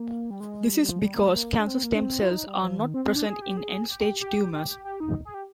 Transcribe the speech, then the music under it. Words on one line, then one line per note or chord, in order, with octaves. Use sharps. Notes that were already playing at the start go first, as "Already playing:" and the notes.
This is because cancer stem cells are not present in end-stage tumors.
Already playing: A#3
G3
G#3
G3
G3
F3
G#3
G3
A#3
G#3
A#3
D4
C4
A#3
D4
C4
F4
D#4
G3
F3
D#3
C4
C4
D4
G#4
G4
G#4
G4
G4
G4
G4
G4
G4
D#4
G#4
G4